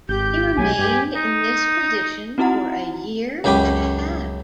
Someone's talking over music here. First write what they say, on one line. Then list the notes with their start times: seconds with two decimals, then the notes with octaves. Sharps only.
He remained in this position for a year and a half.
0.09 G#1 G4 G6
0.57 B1 F#3 G#5
0.78 G2 G4
1.15 D#4
2.38 C4 D#4 E4 F#4 F#5 A#5
3.44 C#2 F#2 G4 G#5 B5 D6